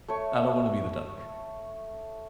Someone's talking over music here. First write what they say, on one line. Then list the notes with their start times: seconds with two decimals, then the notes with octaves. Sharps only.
I don't wanna be the duck.
0.08 A3 C#5